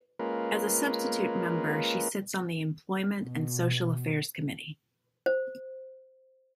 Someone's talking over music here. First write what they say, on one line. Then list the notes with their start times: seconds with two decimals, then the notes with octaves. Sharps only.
As a substitute member she sits on the Employment and Social Affairs Committee.
0.19 G#3 A#3 C#4 F4 A#4 B4
3.22 B2
5.26 C5